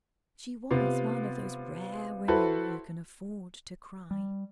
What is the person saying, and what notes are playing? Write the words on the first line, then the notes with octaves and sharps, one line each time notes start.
She was one of those rare women who can afford to cry.
C3 B3 F4 F5
E4 F#4 A4 B4 C5
G3